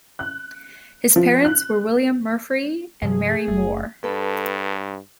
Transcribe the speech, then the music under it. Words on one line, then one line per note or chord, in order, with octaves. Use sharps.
His parents were William Murfree and Mary Moore.
F#6
F3
F#6
G2 C3 F3 G#4
F#1 A3
G2 A4 B4